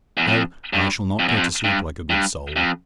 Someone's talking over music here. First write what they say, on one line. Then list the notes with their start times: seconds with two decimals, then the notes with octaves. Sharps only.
No; I shall not go to sleep like a good soul.
0.17 E2
0.27 F2
0.73 G2
1.19 F2
1.28 E2
1.36 F2
1.64 G2
2.10 G2
2.56 F2